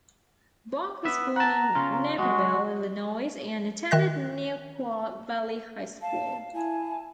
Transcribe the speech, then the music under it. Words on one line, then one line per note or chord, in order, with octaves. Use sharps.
Bock was born in Naperville, Illinois and attended Neuqua Valley High School.
B3 E5
F#5 A5 A#5
C#3 C#4 F4
F#3 G#3 F#4
D#3 E5 F#6 A#6
F5 A5
E4 G#5 A5